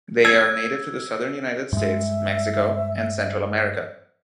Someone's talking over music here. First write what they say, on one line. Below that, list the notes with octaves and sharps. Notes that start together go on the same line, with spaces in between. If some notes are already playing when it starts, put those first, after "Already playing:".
They are native to the southern United States, Mexico, and Central America.
E6 G#6
G2 G#3 E5